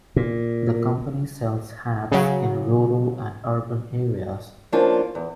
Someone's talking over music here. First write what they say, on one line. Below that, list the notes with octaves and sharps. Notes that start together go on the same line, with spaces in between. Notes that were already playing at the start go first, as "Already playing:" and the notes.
The company sells hats in rural and urban areas.
A#2
C#3 F#3
F3 A#3 C#4 D4 F4
E2